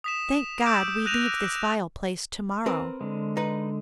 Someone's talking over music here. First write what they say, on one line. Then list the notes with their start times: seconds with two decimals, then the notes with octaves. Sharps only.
Thank God, we leave this vile place tomorrow.
0.04 D#6 B6 E7
0.66 D6 E6 G6 D7 E7
1.06 F#6 G6 A#6 D#7 F7
2.66 C4 A#4 B4
3.01 D3 G#3
3.37 D#4 B4